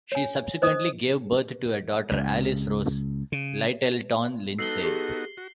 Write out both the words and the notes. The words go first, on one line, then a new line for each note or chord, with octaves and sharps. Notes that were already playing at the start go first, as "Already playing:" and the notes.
She subsequently gave birth to a daughter, Alice Rose Lyttelton Lindsay.
C#5 G#5
C5 D#5 D#6
C#2
C#3
B3 D#4 F#4 A4 E6 C7 F#7 G7
G4 G#4
F#4